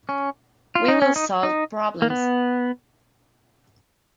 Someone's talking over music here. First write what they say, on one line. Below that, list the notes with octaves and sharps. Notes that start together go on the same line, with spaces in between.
We will solve problems.
C#4
F4
D#4
C#4
D#4
D#4
A#3
B3